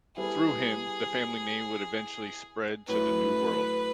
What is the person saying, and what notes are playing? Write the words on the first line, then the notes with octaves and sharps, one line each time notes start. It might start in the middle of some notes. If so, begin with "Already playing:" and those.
Through him the family name would eventually spread to the new world.
G3 B3 E4 G#4 A4
A2 F#3 A3 B4